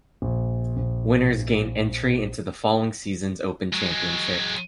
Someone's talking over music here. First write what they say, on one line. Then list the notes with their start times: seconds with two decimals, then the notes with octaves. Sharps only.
Winners gain entry into the following season's Open Championship.
0.22 A#1
0.77 A#1
3.73 F#3 G#3